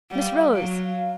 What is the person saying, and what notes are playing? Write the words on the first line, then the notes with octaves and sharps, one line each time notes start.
Miss Rose!
G3 F#5
F5
F#3 F5